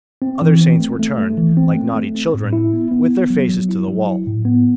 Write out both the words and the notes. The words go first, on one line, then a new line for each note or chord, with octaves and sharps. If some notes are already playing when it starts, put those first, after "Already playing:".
Other saints were turned, like naughty children, with their faces to the wall.
C4
E3
C4
A3
A3
A3
E3
C4
A3
A3
C4
A2
E4
B3
B3
B3
F#3
F#3
E4
F#3
E4
A2
B3